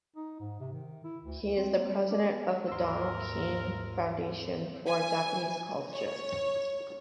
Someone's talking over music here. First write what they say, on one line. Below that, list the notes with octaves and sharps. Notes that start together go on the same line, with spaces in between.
He is the president of the Donald Keene Foundation for Japanese Culture.
D#4
G#2
C3
D#3
E4
D2
D2
C4
A#3
G3
D4
B3
D#2 G#2 A#4 C6 E6
G#5
C#5